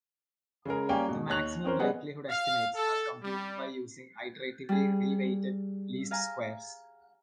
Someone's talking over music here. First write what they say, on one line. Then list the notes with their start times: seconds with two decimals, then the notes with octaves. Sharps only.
The maximum-likelihood estimates are computed by using iteratively reweighted least squares.
0.65 C#3 G#3 G#4 A#4
0.89 G3 A#3 C#4 G5 G#5
1.08 G#2 B2
1.28 D#2 D#4 C#5 F#6 F7
1.64 C4 C#4 A#4 C5
1.79 G3 B3 G#4 B4 D#5 F#5
2.29 F5
2.75 A4
3.22 G3
4.69 G3 G#4
6.11 F5 G#5 A#5